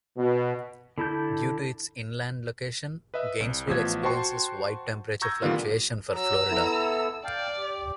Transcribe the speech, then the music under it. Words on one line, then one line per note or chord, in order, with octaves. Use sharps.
Due to its inland location, Gainesville experiences wide temperature fluctuation for Florida.
B2
D3 E4 A4 G6
B4 D#5 E5
C2
A1 F3 B3 G#6
F#4 C5 G5 A5 C6 C#6
A#5 C#6 E6 G6 G#6 A#6
A#2 D3 D#3 G3 B3 F4
F#3 A#5 E6
B3 E4 A4
D5 F5 G5 A5
G4